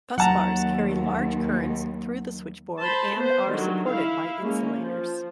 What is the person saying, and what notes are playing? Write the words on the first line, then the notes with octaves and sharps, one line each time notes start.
Busbars carry large currents through the switchboard, and are supported by insulators.
D#2 F#3 F#5 A5 A#5
C5 A5 B5 C6
B3 C5
D3 D#3 F#3 G3
E4 F5
G#3 A#3 C#4
F3